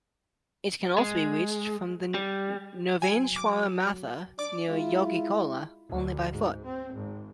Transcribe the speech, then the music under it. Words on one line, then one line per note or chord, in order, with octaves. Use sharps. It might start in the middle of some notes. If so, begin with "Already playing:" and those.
It can also be reached from Nirvaneshwara Matha near Yogikolla, only by foot.
G#3
G3
F#3 G#5
D6
D4 D5 D6
G#3 E4 F4
D2
G#2
C4
G#1